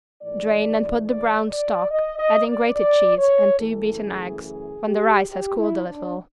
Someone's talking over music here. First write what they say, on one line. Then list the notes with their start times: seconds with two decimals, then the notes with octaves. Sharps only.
Drain and put the brown stock, adding grated cheese and two beaten eggs, when the rice has cooled a little.
0.22 G#2 E3 A3 D5
1.07 D5
1.49 D5
1.91 D#5
2.19 D#5
2.47 D5
2.76 D5
3.18 C#5
3.60 F#2 C#3 E3 A3 A4
4.03 G#4
4.45 G#4
4.87 G4
5.29 G4
5.58 E4
5.86 D4